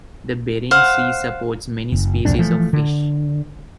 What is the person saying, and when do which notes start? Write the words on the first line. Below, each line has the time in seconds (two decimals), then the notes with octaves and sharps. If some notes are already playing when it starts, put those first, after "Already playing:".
The Bering Sea supports many species of fish.
0.71 C5 F5 F#5
1.92 F#1
2.25 C2 F2 A#2 D4
2.38 E3 F3 A3
2.73 D3